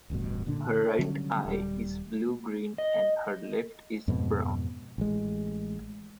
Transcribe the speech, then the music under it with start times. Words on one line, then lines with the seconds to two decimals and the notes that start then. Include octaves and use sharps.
Her right eye is blue-green and her left is brown.
0.10 D1 A1 G2 B2
0.46 A#2 D3 D4
0.99 D3 F#3 G3 C#4
1.45 D#1 G3
2.78 D#5
4.08 F2 G#2 B2
4.98 A1 G#3